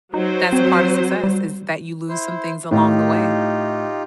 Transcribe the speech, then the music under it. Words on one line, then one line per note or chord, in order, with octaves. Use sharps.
that's a part of success, is that you lose some things along the way,
F#3 D#4 C5
C4
G3
E4 C5
A2 D#4 F4 G4